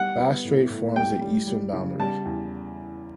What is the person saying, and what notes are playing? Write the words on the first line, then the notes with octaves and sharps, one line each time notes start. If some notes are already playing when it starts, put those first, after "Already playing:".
Bass Strait forms the eastern boundary.
Already playing: G3 F#5
B3
A2
A2
G3 G5
G3
G3
C#3
G3 A5
E2